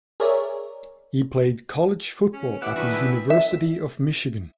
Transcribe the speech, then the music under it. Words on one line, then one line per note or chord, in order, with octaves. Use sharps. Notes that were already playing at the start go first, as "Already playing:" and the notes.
He played college football at the University of Michigan.
G#4 A#4 C#5 D5 E5
C#4
E3 B3 G4 E5 F#5 B5 D6
D#3 D4 F#4 B4
C4 E4 D#5
E5